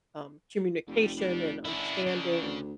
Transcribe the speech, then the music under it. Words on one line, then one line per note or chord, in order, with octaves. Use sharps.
um, communication and understanding.
F1 D2 G3
D#2 G3 D4
D3 D#3 C#4 D4 E4
C#3
D2